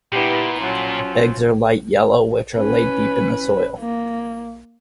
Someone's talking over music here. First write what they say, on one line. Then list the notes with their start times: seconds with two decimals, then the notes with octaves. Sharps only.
Eggs are light yellow which are laid deep in the soil.
0.13 G2 A#2 B3 E4 G4
0.61 F3 F#3 C#4
2.57 C#4 B4
3.79 A#3